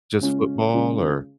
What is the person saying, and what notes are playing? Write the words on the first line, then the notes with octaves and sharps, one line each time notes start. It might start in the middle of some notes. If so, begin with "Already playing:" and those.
just football or
C#3 G#3 C#4 F4
C#3 G#3 C#4 F4